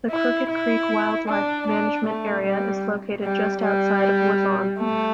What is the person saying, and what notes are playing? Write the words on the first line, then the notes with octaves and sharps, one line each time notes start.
The Crooked Creek Wildlife Management Area is located just outside of Woodlawn.
E4
E4
D4
D4
A3
G3
G3
G3
A3